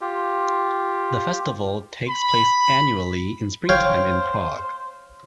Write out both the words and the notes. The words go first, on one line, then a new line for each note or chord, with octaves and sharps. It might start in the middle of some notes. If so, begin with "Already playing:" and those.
The festival takes place annually in springtime in Prague.
F4 G4
B5
C5 C#5 F5 G5